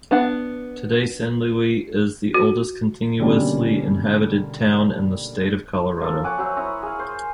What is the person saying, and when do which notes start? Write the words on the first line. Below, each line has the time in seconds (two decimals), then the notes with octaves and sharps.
Today, San Luis is the oldest continuously inhabited town in the state of Colorado.
0.11 B3 D4 F#5
2.34 F#4
3.19 B2 D3 D#3 G3 A#3 C#4
6.00 F3 A#3 A4
6.24 C#5 F#5 G#5 D6
6.38 F#3 C5 E5 F#5
6.57 E4 C#5 A#5 D#6
6.83 G#4 F5
6.99 C5